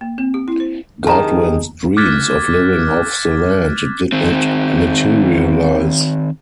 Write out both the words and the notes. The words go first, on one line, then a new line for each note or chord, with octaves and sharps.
Godwin's dreams of living off the land did not materialize.
A#3
C4
G4
E4
C5
G2 D#3 G#4 A5 A#5
D6 F6 F#6 G#6 A6 B6
D#3 C4